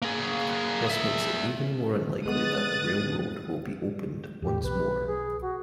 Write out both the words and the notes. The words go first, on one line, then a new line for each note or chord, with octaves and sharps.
This makes it even more unlikely that the railway will be opened once more.
A#3 G#4
G#4 E5
G#3 B3 D#6 F#6 A6
E2 A2 G4
B1 B4
G#4
F#4